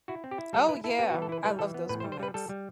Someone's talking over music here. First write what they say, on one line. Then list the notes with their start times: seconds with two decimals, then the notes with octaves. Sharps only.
Oh yeah, I love those moments.
0.08 E4 F#4
0.24 C4
0.31 G4
0.38 E4
0.53 G3 A4
0.69 E4 B4
0.84 E4 A4
0.99 B3 G4
1.10 F#4
1.14 E3
1.22 A4
1.29 E4 B4
1.44 G3 B4
1.59 E3 A4
1.74 B3
1.89 A2 B4
2.00 C5
2.04 G3
2.12 C5
2.20 G3 B4
2.34 G3 A4
2.49 G3